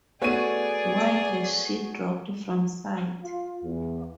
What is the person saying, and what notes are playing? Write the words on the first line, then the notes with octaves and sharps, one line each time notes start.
Why has she dropped from sight.
A3 B3 F#4 G#4 C#5 D5 D#7
F4
E2